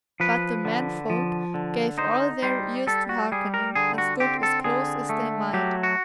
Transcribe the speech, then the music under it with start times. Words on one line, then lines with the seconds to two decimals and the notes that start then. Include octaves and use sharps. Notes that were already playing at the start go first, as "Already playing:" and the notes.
But the men-folk gave all their ears to hearkening, and stood as close as they might.
0.20 F3 B4
0.65 D3
1.10 F3
1.54 D3
1.98 D#4 C5
2.42 G3 C5
2.87 G3 A4
3.09 F#4
3.32 G3 G#4
3.54 A#4
3.75 D3 G#4
3.98 F#4
4.20 C4 G4
4.43 A4
4.64 D3 G#4
5.09 A3
5.53 F#3 G4
5.83 F#4